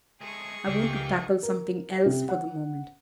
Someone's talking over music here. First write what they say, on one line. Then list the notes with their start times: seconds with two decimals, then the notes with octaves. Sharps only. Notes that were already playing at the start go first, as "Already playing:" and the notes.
I want to tackle something else for the moment.
0.21 G#3 A3 G#4 C#6
0.66 C#2 D#3 E3 G4 F5 G5
1.43 A#4
2.06 C3
2.29 F#5